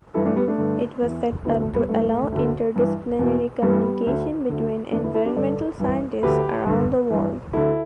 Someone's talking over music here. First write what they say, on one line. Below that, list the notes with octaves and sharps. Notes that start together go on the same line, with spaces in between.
It was set up to allow interdisciplinary communication between environmental scientists around the world.
G2 E3 E4 A4
A3 D4
G3 B3
A3 D4
G2 D3
E2 E3
D2 D3 B3 E4
A3
G3 B3
G2 E3 A3
D2 D3
G2 E3
E2 B2
G2 E3 G3 B3
D2 D3
D2 D3
E2 D3 A3 D4
B3 E4
E4 A4
D4 G4
G2 D3 A4 D5
G2 E3
D2 D3 G4 B4
G2 D3
G2 E3
D2 D3 E4 A4